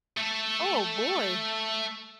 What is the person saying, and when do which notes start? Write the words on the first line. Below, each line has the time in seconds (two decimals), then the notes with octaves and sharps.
Oh, boy.
0.17 A3 A4